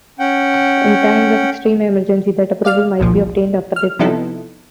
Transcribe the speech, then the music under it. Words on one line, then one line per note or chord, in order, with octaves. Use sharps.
In times of extreme emergency, that approval might be obtained after the fact.
C#4 F#5 G5
D5 F5 F6
G1 C2 A#2 F3
F6
C3 F3 B3 D#4 E4 A4